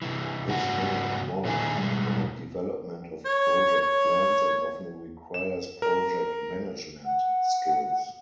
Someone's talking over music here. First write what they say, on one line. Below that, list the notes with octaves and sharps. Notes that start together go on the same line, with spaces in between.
This may involve the development of project plans and often requires project management skills.
C3 E3
G#2 C#3 F#4
A#2 D3 D#3 C4 G#4
B2 G3 G#3
C#5
C#5
E7
A#4
F#5